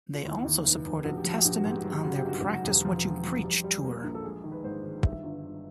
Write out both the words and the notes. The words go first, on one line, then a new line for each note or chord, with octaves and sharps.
They also supported Testament on their "Practice What You Preach" tour.
F4
D#2 E4
D#2
F1
F1
A#1 F#4
G4
F3 F#4
A#1 G4
F#4
G#2 G4
F#4
F#3
G4
C#3 F#4
G4
G1 F#4
F#3
F#4
E1 G4
F3
F3
F3
G3
G3
A#3
A#1
A4
G#3 G#4
D#3
B4
G#2 C5
D#3
G2 E5
G1
G1